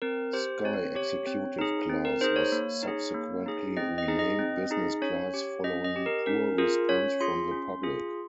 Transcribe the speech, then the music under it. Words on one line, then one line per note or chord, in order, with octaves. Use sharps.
Sky Executive Class was subsequently renamed Business Class following poor response from the public.
C4 A#4
G4 C5
C4 C#5
G4 C#5
C4
D#4 G#4
C4
A#4
D#4 G#4 C5
C#5
A#3
D#4 G#4
A#3
D#4 G#4
C4 D#5
D#5
D#4 G#4
D#5
C4
D#4 G#4
C#4 C#5
G4
C#4 D#5
D#5
G4
A#4
C#4 A#4
F4 G#4 A#4
C#4 C#5
F4 G#4 C6
C#4
F4 G#4